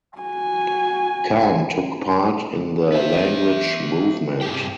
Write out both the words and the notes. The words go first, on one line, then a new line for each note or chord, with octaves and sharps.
Khan took part in the Language Movement.
F#4 G#5
B3 E5
G2 C3 G4 G#4 G5